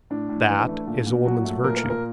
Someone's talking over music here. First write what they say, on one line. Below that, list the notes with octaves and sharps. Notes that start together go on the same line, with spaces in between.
That is a woman's virtue.
A2 D4
A2
E3
A3
A#2
A#2
F#3 F#4
A3
A#2 A#4
A#4
A#2
A#4